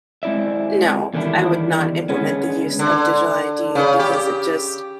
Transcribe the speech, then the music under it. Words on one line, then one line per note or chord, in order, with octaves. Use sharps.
No, I would not implement the use of digital ID, because it just uh,
G#3 C4 E4 D5 E5
E2 D3 D#3 G3 D4 E4
D3 G#3 B3 C#4
D3
C#3
G4